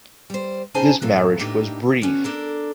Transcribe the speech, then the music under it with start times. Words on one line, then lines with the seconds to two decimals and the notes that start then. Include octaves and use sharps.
This marriage was brief.
0.30 G3 C5
0.74 C#3 D#4 G#4 C5 G#5 A5
1.02 A2 C3 E3 F#3 A4 F5
1.39 A2 A#3 D4 D#4 G4
2.02 D3 B3 C#4 F#4
2.24 D4 A4 A#4